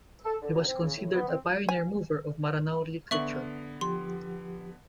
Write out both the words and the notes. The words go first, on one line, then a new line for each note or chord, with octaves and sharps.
He was considered a pioneer mover of Maranao literature.
A4
D3
F#2
C4
C#3
A2
B3
C4
G#5
D3 B3 E5 C#6 F#7
F3 G4 C6